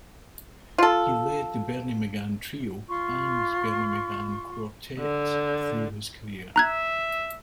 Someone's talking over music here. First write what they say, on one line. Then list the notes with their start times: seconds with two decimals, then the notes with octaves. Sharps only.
He led the Bernie McGann Trio and Bernie McGann Quartet through his career.
0.78 F4 A4
2.88 F4 C6 C#6
4.99 D3
6.56 E5 A#5 F#6 G#6